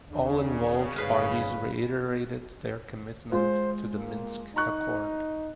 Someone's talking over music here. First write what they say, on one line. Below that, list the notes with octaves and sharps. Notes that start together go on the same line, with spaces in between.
All involved parties reiterated their commitment to the Minsk Accord.
D#2 C#3 D4
G1 G#2 G#4 B4 F5
G#3 F4 C5
A#3
D#4 A#5 C#6 F#6